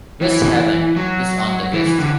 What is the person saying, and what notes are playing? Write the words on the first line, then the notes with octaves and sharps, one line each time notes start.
West Haven is on the west.
E3
F#3
E3
E3
D3